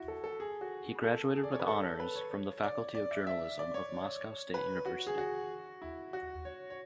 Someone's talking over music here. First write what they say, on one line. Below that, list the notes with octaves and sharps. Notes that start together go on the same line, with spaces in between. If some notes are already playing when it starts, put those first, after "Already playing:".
He graduated with honors from the Faculty of Journalism of Moscow State University.
Already playing: E4 F#4
A4
A4
G#4
F#4
A4
G#4
D5
C#5
B4
A4
B4
C#5
D5
D5
E5
E5
D5
C#5
B4
F#4
G#4
F#4
E4
F#4
C#5
C#5